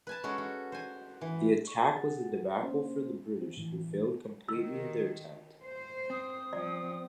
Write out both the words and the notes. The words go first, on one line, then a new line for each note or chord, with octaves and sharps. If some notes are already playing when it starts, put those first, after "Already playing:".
The attack was a debacle for the British, who failed completely in their attempt.
B4 G#5 A5
G#3 C#4 F#4 A4
F#4
C5 G#5
E3
C#6
G#4 F#5 A6
A#3 C#4 C5
C4
A2 E3
D#3 E6
C5
C4 D#6
F3 D5